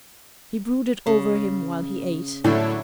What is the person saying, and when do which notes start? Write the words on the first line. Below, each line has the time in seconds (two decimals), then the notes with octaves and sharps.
He brooded over him while he ate.
1.06 C#3
2.44 A2 D3 F#3 E4 A4 C#5 D5